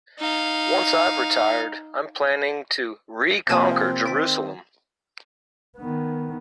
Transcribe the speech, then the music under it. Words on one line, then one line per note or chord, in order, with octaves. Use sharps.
Once I've retired, I'm planning to reconquer Jerusalem.
D#4 F5
C3 F3 A#3 C4 G#5 A5 E7
D#3 G5 A6 B6
D#3 B3